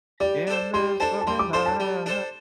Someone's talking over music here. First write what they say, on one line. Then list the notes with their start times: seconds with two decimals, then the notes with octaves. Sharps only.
in this fucking life,
0.20 G3 D5
0.47 D4 A4 C5
0.74 G3 C6
1.00 D4 A4 C5 A5
1.21 A5
1.27 G3 C6
1.39 D6
1.53 D4 A4 C5 C6
1.66 A5
1.80 G3
2.06 D4 A4 C5